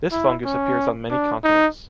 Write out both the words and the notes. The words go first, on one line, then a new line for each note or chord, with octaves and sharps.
This fungus appears on many continents.
E4
C#4
D4
D#4